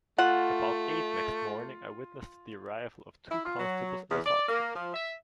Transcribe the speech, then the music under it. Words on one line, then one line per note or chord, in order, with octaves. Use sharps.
About eight next morning I witnessed the arrival of two constables and a sergeant.
A3 F4 F#5
E4
F4
F#3
E2
D5
A#3
F3
E5